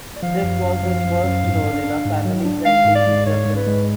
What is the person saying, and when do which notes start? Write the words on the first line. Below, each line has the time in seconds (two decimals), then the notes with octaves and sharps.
This was his first role in a family-friendly feature film.
0.16 D5
0.22 F3 F5
0.43 F#2
0.63 F#2
0.83 F3
1.04 F#2
1.24 F#2
1.44 G#2
1.64 D4
1.84 D4
2.05 G#2
2.25 F#3
2.45 D4
2.65 G#3 F5
2.85 G#2
2.95 D5
3.06 G#3
3.26 G#2 C#5
3.46 G#2
3.56 B4
3.67 G#3